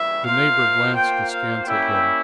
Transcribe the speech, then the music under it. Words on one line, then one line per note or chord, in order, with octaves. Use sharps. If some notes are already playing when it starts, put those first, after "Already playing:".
The neighbour glanced askance at him.
Already playing: C#3 E3 G3 E4 E5
A#3 F4 C5 F5
G5
F5
G3 A#3 C#4 E4 G5